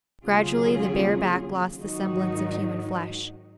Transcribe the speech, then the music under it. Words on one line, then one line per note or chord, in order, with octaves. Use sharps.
Gradually the bare back lost the semblance of human flesh.
D#2 C#3 F#3 F4 G#4
G#2 D#3 F#3 D#4 F#4